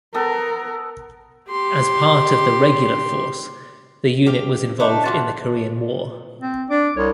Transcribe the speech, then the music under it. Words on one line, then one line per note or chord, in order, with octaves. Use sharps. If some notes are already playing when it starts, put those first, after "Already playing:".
As part of the Regular Force, the unit was involved in the Korean War.
B3 A4 A#4
G4 C6
G4 F5
A3 D4 D#4
E3 F4 F#4 A5
C4
D4 D6
C2 C#5